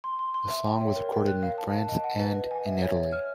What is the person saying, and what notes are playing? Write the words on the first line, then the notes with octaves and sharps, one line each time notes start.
The song was recorded in France and in Italy.
C6
C6
C6
E5
G5
C#5
A#4
G5
F#6
F5
A5
A5
D#5
F#5
B4
D#5
G#5
E5
C#5
C#5
F6